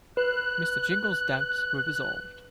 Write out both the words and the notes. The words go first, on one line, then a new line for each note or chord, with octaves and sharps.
Mr. Jingle’s doubts were resolved.
B4 F#6